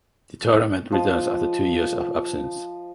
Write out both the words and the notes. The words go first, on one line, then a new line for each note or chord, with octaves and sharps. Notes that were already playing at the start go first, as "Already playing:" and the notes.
The tournament returns after two years of absence.
F3 D#5